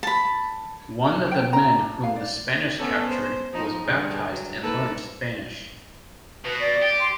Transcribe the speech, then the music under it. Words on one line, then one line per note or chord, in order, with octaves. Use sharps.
One of the men whom the Spanish captured was baptized and learned Spanish.
A5 B5
G5
A#5
D4
F5
D5
B3 C#4 A4
C5
F3 D#4
G2 D3 G#4
F#3
A#3 A4 B4
B2 B4
D5
G4
C6